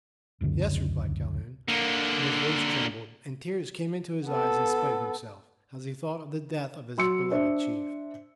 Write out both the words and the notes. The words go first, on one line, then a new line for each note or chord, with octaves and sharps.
"Yes," replied Calhoun; and his voice trembled, and tears came into his eyes in spite of himself, as he thought of the death of his beloved chief.
D#1 C#2 F#2 D3
D3 A#3
B3 A4
F#3 C6 E6 C#7
D4 C5 E5